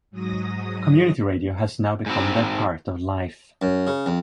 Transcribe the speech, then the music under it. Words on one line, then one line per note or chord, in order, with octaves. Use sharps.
Community Radio has now become their part of life.
G#2 F#3 D#6 A#6
G#2 C4
F#2
C#3
F2